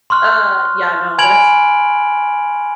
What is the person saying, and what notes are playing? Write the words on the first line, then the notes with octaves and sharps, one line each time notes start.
Uh. Yeah, no. That's
C6 C#6 F6 F#6
G#5 B5 G#6 D7 F7 F#7